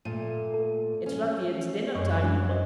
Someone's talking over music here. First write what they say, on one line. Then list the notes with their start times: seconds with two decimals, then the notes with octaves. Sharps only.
It's lucky it's dinner-time.
0.05 A#2 A3 D#7
0.54 A4
1.06 C#4
1.95 F#2 D#5 C#6
2.23 G#3 D4 F#4
2.49 C5 C#5 D#5